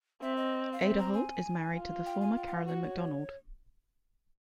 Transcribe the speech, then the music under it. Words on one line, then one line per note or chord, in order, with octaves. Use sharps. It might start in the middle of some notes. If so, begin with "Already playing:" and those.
Aderholt is married to the former Caroline McDonald.
C4 E5
D#5
F5
C4 E5
A#5
G#5
F4
G5
G#5
G5
G5
F#5
F#4 F#5
C#5